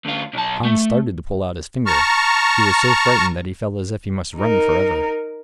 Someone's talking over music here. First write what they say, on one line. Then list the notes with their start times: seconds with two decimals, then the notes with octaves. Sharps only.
Hans started to pull out his finger; he was so frightened that he felt as if he must run for ever.
0.05 D2 F4
0.34 B1 A5
0.65 A3
1.86 A5 A#5 C#6 F6
4.37 D#4 A#4